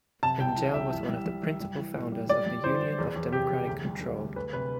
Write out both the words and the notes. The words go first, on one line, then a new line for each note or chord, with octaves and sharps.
Angell was one of the principal founders of the Union of Democratic Control.
C3 A5
C2 G5
E3
C2 E5
E3
G3
G3
G3
G3
E3
A2
G3
G3 D5
G3
E3 C5
E3
E2
E2
C3 G4
E2
D2
G3
D2
D2
D2 B4
C3 B4